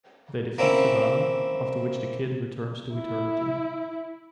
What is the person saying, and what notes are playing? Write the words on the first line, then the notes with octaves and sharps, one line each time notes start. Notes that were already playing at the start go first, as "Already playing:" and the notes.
They defeat Sivana, after which the Kid returns to Eternity.
A#3 C4 C#4 E4
E4